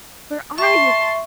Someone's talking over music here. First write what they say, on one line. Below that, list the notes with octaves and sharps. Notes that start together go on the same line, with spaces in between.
Where are you?
E5 A5 C6 C#6